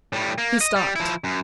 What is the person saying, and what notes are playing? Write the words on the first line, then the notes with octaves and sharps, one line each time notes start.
He stopped.
A2 G3
A#3
D#5
G3
F3 E4
F#2